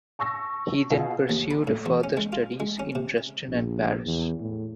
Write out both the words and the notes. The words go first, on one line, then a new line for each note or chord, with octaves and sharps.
He then pursued further studies in Dresden and Paris.
A5 C#6 E6 A#6
B2 F4 G#4
D#2
B5
A2
E2
C#4
G#3
F4
G#3
C#4
C3
A#1
E2
A2